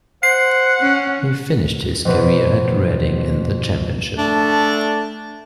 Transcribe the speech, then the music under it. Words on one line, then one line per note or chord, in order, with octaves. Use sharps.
He finished his career at Reading in the Championship.
C5 F#5 C7
C#4
F2 B2 B4
A3 D4